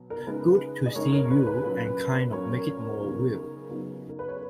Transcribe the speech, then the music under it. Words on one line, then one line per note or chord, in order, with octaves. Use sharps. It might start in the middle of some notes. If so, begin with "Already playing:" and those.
Good to see you' and kind of make it more real.
Already playing: B2 F#3 B3
A#4
C#3 G#3 D#4 B4
D#5
C#3 G#3 D#4 A#4 C#5
A#4 C#5
B4
B4
A#2 F#3 C#4 B4
A#2 F#3 C#4 A#4 C#5
C#3 F#3 B3 D#4
C#3 F#3 B3 D#4
A#4
B4
C#5